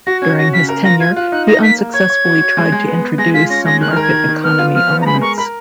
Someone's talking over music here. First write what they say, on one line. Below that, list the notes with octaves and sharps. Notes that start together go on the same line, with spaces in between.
During his tenure, he unsuccessfully tried to introduce some market economy elements.
F#4 A#6
C#4 G#6
F#4 A#6
C#3 B6
A#4
F4 A#6
F4 G#6
F4 F#6
D#4 F#6
D#4 A#6
A#3 B6
A#3
C#5 G#6
C#5
F#4
C#5
G#3
G#3
B3
B3
G#3 A#6
F4 B6
C#4 A#6
G#3 A#6
D#3 F#6
F6
A#4
G#6
D#3
D#3
B3 F6
F4
F3 F6
B3
A#5
G#3 B5
A#4 C#6
A#4 B5